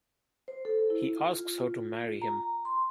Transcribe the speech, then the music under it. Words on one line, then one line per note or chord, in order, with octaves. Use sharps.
He asks her to marry him.
C5
A4
E4
F4
A#5
C6